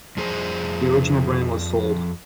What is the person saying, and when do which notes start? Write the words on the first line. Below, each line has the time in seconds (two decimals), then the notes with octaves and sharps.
The original brand was sold.
0.17 F2 F3 G#4 C5 A#5